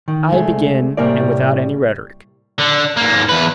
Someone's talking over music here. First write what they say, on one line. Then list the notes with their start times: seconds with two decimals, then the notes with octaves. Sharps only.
"I begin, and without any rhetoric."
0.08 D#3
0.32 C2 G#3 A3
0.97 A2 C3 G3 A#3 A#4 D5
2.59 D3
2.97 G#2 A#3
3.29 E2 B4